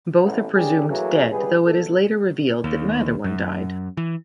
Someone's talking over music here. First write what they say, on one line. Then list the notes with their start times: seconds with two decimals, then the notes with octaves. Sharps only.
Both are presumed dead, though it is later revealed that neither one died.
0.21 A1 B3
0.55 A1 C#3 D4 G4 G#4
0.88 E3 F#3 A3 A#3 G#4
1.30 C#2 G3 G#4 B4
1.64 A#1 B2 A4
2.64 D#2
3.24 F#2
3.97 E3